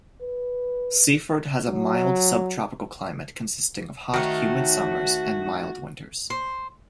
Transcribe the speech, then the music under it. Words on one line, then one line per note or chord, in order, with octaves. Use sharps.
Seaford has a mild subtropical climate consisting of hot, humid summers and mild winters.
B4
F#3
D#3 A3 F#4 C#5
C5